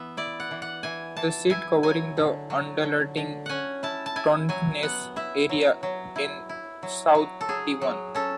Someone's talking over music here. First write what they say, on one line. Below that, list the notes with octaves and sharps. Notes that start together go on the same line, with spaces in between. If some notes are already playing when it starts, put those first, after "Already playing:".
The seat covering the undulating Totnes area in south Devon.
Already playing: E3 B3 E5
E4 D5
F#5
E3
F#5
E3 G#5
E3 A5
E4 G#5
F#3 G#5
D3
F#3
D3
D3
C#4 F#5 G#5
E4 A5
A5
E4 G#5
F#3 G#5
B3 F#5
E4 E5
F#3
F#3
E4
E4
F#3
F#3
A4
F#3 G#4
F#3
C#4 A4